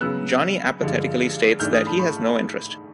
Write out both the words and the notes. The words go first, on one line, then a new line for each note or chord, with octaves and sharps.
Jonny apathetically states that he has no interest.
C#3 F#3 B3 E6 F#6
G2 D3 F3 G#3
G#2 E3 A3 D4 F6 G6
D#6 F6
A5 B5
B5 C#6